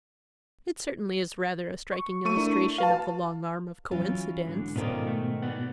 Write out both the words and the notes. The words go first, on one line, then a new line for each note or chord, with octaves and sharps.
"It certainly is rather a striking illustration of the long arm of coincidence."
C#6
A3 C#6 D#7
D4 E4 A#4
F#4 B4 F5 A5
E3 F#3 C#4 F4
G#2 D3
G#2 B2 D#3 C#4 F4 A4 D5
A3
B4 D5 F#5